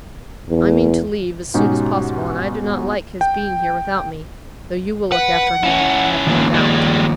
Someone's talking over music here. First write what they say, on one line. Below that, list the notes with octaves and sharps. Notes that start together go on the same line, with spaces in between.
I mean to leave as soon as possible, and I do not like his being here without me, though you will look after him, I have no doubt.
E2
G#2 B2 C#4 D#4 G4
G5
B4 F#5
C#4 E4
D#3 F3 A#3
G3 G#3